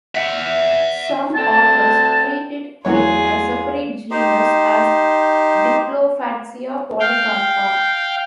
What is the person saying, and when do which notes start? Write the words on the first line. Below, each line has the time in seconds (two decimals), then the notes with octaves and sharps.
Some authors treat it in a separate genus, as "Diplofatsia polycarpa".
0.15 E5 F#5
1.35 D2 C4 A5
2.85 E2 E3 F#3 F4 G#4 C#5
4.11 D#4 G4 C5
7.00 F5 G5